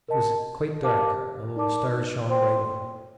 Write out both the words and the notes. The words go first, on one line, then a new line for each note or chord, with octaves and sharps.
It was quite dark, although the stars shone brightly.
A#4 D#5 A5
G4 A#4 F5 A5 D6
D#4 A#4 D5 A5 D6
C5 G5 C6